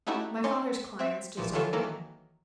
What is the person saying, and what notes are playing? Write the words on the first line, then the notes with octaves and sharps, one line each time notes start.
My father's clients deserted him.
A3 C#4 D#4 E4 F#4 G4
C#4 D#4 C#5 C6 D6 C#7
C4 E5
A1 A#2 E3 F3
D3 E3 F#3 F4 A4 C#5
D#3 E3 F#3 A#3 A4 A#4